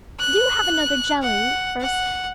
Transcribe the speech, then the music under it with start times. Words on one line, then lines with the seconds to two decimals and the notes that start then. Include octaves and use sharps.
Do have another jelly first.
0.20 F#6
1.22 F#5
1.81 F#5